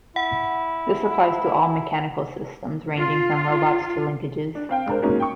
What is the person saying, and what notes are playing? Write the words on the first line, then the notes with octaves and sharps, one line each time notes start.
This applies to all mechanical systems ranging from robots to linkages.
E4 F#5
F4
D4
C4 F5 G5
G#3 D4 A#4 C5
F#3 G#3 A#3 C#4 D#4 F#4
G5 C#6